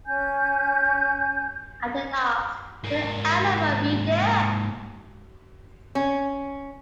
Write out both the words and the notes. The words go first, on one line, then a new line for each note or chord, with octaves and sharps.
And then asked, 'Did anyone read it?
C#4 G#5 G6
G#2 A#3
C#4